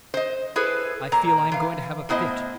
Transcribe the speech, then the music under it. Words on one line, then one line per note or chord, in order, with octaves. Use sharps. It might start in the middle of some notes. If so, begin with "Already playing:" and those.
I feel I am going to have a fit.
C5 D#5
E4 G#4 A4 B4 C5
A#2 A#3 A#5
E3 F5
A2 B3 E4 C5 D#5